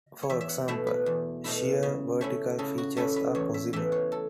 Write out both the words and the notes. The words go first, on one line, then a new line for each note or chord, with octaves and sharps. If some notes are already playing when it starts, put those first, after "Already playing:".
For example, sheer vertical features are possible.
C#5
E2 E5
E5
F#5
B2 A3 E4 E5
B4
E2
B2 A3 E4
C#3
A3 C#4 E4
C#3 A4
F#4
A3 C#4 E4 A4
B4
E2 C#5
E5
E3 A3 E5
C#5
A4